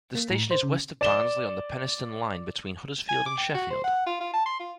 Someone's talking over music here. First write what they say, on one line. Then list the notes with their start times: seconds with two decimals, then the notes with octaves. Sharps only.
The station is west of Barnsley on the Penistone Line between Huddersfield and Sheffield.
0.15 A#3
0.30 A2
0.51 C5
0.63 C#3
1.01 D5 E7 G7
3.08 G#5
3.26 D6
3.38 G5
3.54 F#4
3.70 C5
3.84 F#5
4.06 F4
4.20 F4
4.33 A5
4.46 C6
4.60 F4